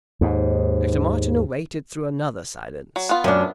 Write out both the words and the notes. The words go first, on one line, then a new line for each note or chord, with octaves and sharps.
Dr. Martineau waited through another silence.
D#2 G#2
F#3
B3 F4
F#2 D4